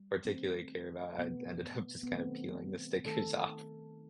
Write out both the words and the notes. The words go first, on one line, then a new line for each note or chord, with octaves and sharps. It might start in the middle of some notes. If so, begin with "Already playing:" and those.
particularly care about, I ended up just kind of peeling the stickers off,
Already playing: G3
D#3 A3 C4
B2 A3 B3
B3
D#3 F#3 A3 C4
D#3 A3 A4